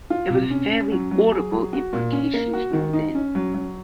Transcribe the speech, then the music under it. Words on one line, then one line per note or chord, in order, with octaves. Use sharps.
There was a fairly audible imprecation from within.
F4
C3
C#4
C#4
F#3
F#3
G#4
F#3
F#4
A#2
C#4
A#3
F#4
D#3
D#4
C#4
F#3
F#3